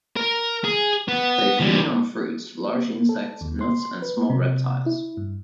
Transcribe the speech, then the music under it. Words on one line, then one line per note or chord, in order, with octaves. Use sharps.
They feed on fruits, large insects, nuts and small reptiles.
A#4
G#4
B3
E3 G3
A#3
A4
D#2
C6
B4
C3
E4
G2